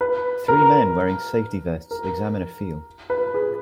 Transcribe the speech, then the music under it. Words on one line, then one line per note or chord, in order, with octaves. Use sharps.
Three men wearing safety vests examine a field.
B4
A#4
A#4
B4
G#4